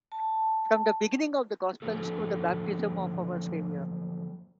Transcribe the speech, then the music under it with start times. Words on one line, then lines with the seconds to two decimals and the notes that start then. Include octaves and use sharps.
From the beginning of the Gospels to the Baptism of our Saviour.
0.12 A5
1.82 D3 F3 F#3 A#3 A4